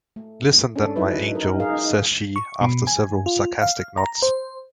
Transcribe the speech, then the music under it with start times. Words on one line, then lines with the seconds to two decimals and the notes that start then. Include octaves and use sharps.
"Listen then, my angel," says she after several sarcastic nods.
0.16 A3
0.76 C#4 D4 A4
0.96 F#3 D#4 E4 B4
1.35 A#4
1.60 G#4 A#4 F5
2.36 C#6
2.61 B2
2.87 G#5
3.26 F4
3.62 F5
3.97 A#5
4.22 C5